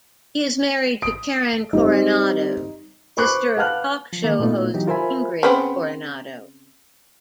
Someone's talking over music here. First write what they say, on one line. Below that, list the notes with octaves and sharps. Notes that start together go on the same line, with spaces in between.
He is married to Karen Coronado, sister of talk show host Ingrid Coronado.
D#6 D7
G3 C4 D#4
B4 C5 B5 C#6 D6 F#6
B4 F5 F#5 A5 F6 F#6
F3
D#3 A#3
A#2 A3 B3 D#4 F4
E3 F#3 D#4 G4
F4 A#4 C5 E5 G#5 B5
C#3 B3 C4